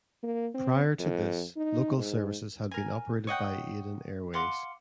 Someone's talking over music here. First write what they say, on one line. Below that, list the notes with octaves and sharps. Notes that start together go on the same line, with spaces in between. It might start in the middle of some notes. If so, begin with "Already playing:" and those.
Prior to this, local services had been operated by Aden Airways.
A#3
C4
F2
D#4
G#2
A#4 G#5
C#5 D#5 F#5 G5
F5 F#5 C6 D6